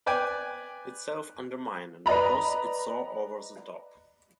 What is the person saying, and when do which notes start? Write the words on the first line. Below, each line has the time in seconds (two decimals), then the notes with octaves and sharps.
It's self-undermining, because it's so over the top.
0.06 B4 D5 G5 G#5
2.06 B4 D5 D#5 A#5 B5